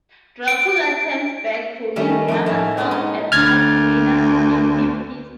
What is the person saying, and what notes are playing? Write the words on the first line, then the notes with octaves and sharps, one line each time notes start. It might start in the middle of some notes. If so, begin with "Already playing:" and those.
Dracula turns back to his younger self and asks Mina to give him peace.
D7
D#3 G3 A3 C#4
F2 D4 D#5
A2 C#4 E4 F5 A5 A#5
G#3 A#3 B3 C#4 D4
D#4
D2 F6 G#6 A6